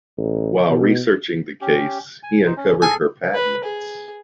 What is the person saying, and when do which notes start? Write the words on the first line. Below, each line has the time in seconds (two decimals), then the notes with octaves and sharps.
While researching the case, he uncovered her patents.
0.17 A1
0.69 B2
1.61 C#4 G4
2.23 G#5
2.46 D#4 C5
2.57 C#4
2.82 G#4 A4 G#5
3.34 B4
3.64 G#4